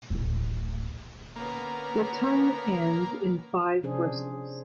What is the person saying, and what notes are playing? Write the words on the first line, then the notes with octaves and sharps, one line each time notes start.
The tongue ends in five bristles.
D1 A1
D3 A#3 B3 C#4
C3 F3 C#4 D4 G#4 C5